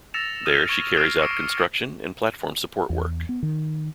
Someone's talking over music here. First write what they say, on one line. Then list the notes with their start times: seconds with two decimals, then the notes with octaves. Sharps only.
There she carries out construction and platform support work.
0.14 E6 A6 A#6 C#7 E7 F7
0.46 D#6 F6 D#7
0.69 C#6 G#6 G7
0.97 D#6 F6 A#6 C7 D7 E7
1.19 C#6 D6 A#6 C#7
2.90 E2
3.29 B3
3.43 D#3